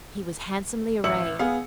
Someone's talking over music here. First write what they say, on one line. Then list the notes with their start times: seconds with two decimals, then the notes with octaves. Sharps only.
He was handsomely arrayed.
1.04 A1 E5 E6 C#7 F#7
1.39 B3 G#4 F5